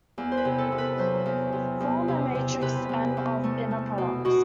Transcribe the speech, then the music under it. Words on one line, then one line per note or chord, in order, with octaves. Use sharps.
Form the matrix "M" of inner products.
E2
C5
B4
C3
A4
E2
B4
F#3 C5
E2
C3
E2
C3
C3
C3 B4
E2
E2
A3
A3
B2
B2 F#4